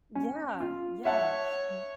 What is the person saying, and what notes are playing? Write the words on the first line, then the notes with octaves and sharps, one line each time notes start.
Yeah, yeah, w
C#4
F4
C#5 E5 F#5 A5